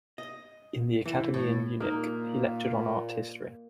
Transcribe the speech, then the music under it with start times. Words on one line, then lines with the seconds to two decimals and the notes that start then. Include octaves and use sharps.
In the academy in Munich, he lectured on art history.
0.18 D#5
1.06 E3
1.34 A2
1.80 A#2 A#3 D#4